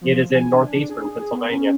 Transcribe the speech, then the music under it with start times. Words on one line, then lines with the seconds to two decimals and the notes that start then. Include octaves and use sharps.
It is in northeastern Pennsylvania.
0.01 F3
0.34 G#5
0.53 D4
0.74 D4
0.90 G#4
1.15 G#4
1.32 B3
1.51 C#4